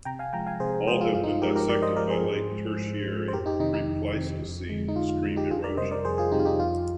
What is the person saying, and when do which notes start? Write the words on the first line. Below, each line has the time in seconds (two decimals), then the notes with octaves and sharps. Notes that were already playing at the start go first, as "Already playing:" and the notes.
All have been dissected by late Tertiary, pre-Pleistocene stream erosion.
0.05 C3 G5 A#5
0.19 F5 G#5
0.33 F3 G#3 G5 A#5
0.46 F5 G#5
0.60 C3 G#4 C5
0.87 F3 G#4 C5
0.91 G#3
1.01 F4
1.15 G2 F4
1.23 D#4
1.28 F4
1.42 F3 G#3 G4 A#4
1.56 G4 A#4
1.69 G2 A#4 D5
1.82 C5 D#5
1.96 F3 G#3 A#4 D5
2.10 G#4 C5
2.24 G#2
2.51 F3 G#3
2.78 G#2
3.05 F3 G#3
3.28 C5
3.33 F2 G4 A#4
3.46 D#4 G4
3.59 C3 D#3 D#4
3.74 D#4
3.88 F2
4.15 C3 D#3
4.42 F2
4.69 D3 G#3
4.88 D#4
4.95 F2 F4
5.09 F4
5.23 D3 G#3
5.36 D#4 G4
5.51 F2 F4 G#4
5.64 A#4 D5
5.77 C3 G3 C5 D#5
5.91 A#4 D5
6.05 F2 G#4 C5
6.18 F4 G#4
6.32 C3 G3 D#4 G4
6.39 F4
6.45 D#4 G4
6.59 F2 F4